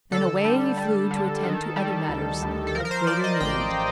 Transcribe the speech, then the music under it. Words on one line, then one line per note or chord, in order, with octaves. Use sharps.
Then away he flew to attend to other matters of greater need.
D3 A4
G3
G3
D3
D#3
G3
D2
D2
A4
F3 A#4
A#4
C5
F3 D5
D#5
A1 G5